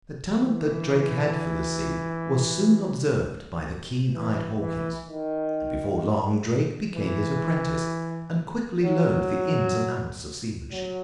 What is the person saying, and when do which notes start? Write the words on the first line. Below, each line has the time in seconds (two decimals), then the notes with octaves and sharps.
The talent that Drake had for the sea was soon observed by the keen-eyed Hawkins, and before long Drake became his apprentice, and quickly learned the ins and outs of seamanship.
0.37 E3
4.13 E3
4.59 E3
5.06 D#3
6.95 E3
8.84 F#3
10.72 F#3